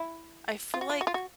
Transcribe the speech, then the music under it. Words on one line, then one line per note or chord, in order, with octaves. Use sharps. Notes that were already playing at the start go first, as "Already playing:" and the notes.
I feel like
Already playing: E4
F4
F#4
F4
F#4
F4
F#4